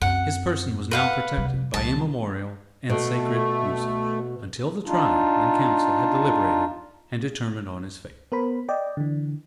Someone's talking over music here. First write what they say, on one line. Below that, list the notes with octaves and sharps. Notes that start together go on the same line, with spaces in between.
His person was now protected by immemorial and sacred usage, until the tribe in council had deliberated and determined on his fate.
F#2 C4 F#5
B4 F5 F#5
C3 G3
C2 E3 A5
B2 A3
D4 D#4 F4
B3 A#4 C5 B5
D5 D#5 G5
D3 E3